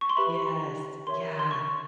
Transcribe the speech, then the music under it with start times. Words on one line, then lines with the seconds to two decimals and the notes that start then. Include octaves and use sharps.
Yes, yeah.
0.01 C#6
0.09 C6
0.17 G4 B4 E5 B5
1.06 A#4 C#5 E5 C6
1.39 C6
1.51 C#6